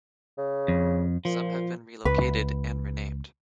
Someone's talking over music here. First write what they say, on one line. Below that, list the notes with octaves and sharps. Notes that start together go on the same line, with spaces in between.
Some have been relocated and renamed.
C#3
F2
A#2 F3
C#2 B4